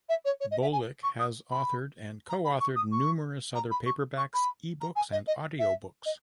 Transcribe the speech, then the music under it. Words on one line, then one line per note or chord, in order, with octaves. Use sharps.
Bolick has authored and co-authored numerous other paperbacks, ebooks and audiobooks.
E5
C#5
C#5
D#5
E5
G#5
C#6
D#6
B5
A#5
B5
C#6
D#6
C#6
A#5
B5
C#6
C#6
B5
A#5
G#5
D#5
D#5
E5
D#5